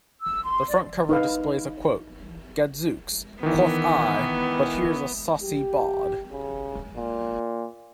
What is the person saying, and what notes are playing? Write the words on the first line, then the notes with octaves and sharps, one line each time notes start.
The front cover displays a quote: "'Gadzooks,' quoth I, 'but here's a saucy bawd!'".
E6
C6
D5
D#4 B4 D#5 F5
D#3 E3 B3
G4
C#3
A#2